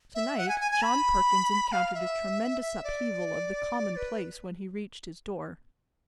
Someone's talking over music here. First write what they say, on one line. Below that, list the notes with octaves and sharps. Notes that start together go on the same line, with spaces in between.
To-night John Perkins encountered a tremendous upheaval of the commonplace when he reached his door.
E5
F#5
G#5
G#5
G#5
B5
F5
E5
E5
D5
B4